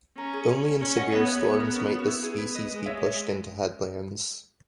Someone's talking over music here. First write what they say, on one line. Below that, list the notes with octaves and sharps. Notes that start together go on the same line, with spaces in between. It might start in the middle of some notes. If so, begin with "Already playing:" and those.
Only in severe storms might this species be pushed into headlands.
C#4 A#4
G#4
C#4 A#4 C#5
D#5 F#5
B3 C#5 E5
C#5 E5
B3 G#4
A#4
C#4
F#4
E4
G#4
B3 B4
B4 D#5
G#3
C#5 E5